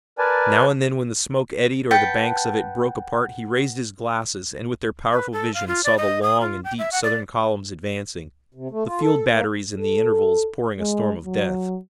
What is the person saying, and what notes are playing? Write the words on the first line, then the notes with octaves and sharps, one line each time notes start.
Now and then when the smoke eddied or the banks of it broke apart he raised his glasses and with their powerful vision saw the long and deep Southern columns advancing, the field batteries in the intervals pouring a storm of death.
A#4 B4 D5 G#5 A5
B4 F#5 G5 A5
B4
A4
F5
F4
D5
D#5
D#6
F4
G5
E5
F#5
D5
C3
A3
F4
A4
A#3
A4
G#3
F#3